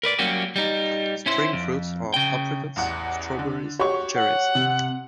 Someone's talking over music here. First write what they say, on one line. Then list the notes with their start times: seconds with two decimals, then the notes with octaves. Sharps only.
Spring fruits are apricots, strawberries, cherries.
0.03 A#4 B4 D5
0.19 F#3 G3 A#3 C#4 F#4 G4
0.56 G3 D#4
1.26 C#4 E4 C5
1.53 F2
2.14 C#3 G5
2.76 A1 E2 F#5
3.39 D3
3.79 F#4 G4 C#5 C#6
4.16 F#5
4.55 C3